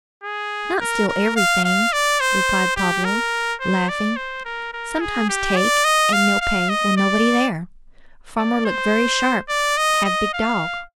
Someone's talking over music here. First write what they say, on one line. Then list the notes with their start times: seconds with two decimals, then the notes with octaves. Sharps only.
"Not steal every thing," replied Pablo, laughing; "sometimes take and no pay when nobody there; farmer look very sharp--have big dog."
0.24 G#4
0.81 A#4
1.08 A#4
1.36 F5
1.65 F5
1.92 D5
2.21 C5
2.76 G4
3.05 A#4
3.60 C5
3.89 D5
4.16 C5
4.45 A#4
4.73 A#4
5.01 G#4
5.29 G4
5.57 D5
5.85 D#5
6.13 F5
6.41 F5
6.69 D#5
6.97 D5
8.37 D5
8.65 C5
9.49 D5
9.77 D#5
10.05 D#5
10.33 F5